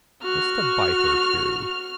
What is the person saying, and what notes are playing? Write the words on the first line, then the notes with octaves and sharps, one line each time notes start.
Just a bite or two.
F#4 F6